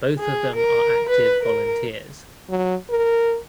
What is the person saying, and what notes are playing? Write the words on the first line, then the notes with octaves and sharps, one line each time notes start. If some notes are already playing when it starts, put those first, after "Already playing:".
Both of them are active volunteers.
G#4
A#4
B4
A#4
F#3
A#4